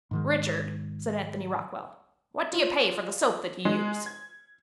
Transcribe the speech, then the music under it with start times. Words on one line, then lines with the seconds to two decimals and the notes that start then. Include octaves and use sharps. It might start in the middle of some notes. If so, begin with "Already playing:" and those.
"Richard," said Anthony Rockwall, "what do you pay for the soap that you use?"
0.11 G#2 D#3 G#3
2.53 F4
3.65 G#3
4.06 G#6